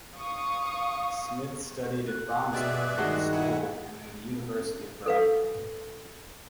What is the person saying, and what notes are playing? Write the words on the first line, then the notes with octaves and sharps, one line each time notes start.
Smith studied at Bromsgrove School and then the University of Birmingham.
F5 C#6 D#6
F#6
B2 G#4 D5 E5
G2 D#3 G#3 F#4
E4 F#5 G#5
A4 B4 F5